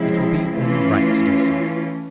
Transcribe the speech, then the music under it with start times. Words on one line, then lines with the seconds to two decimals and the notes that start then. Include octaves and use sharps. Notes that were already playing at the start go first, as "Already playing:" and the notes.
"It will be only right to do so."
Already playing: C#3 F3 G#3 C4 E4
0.54 E3 A3 C#4 F4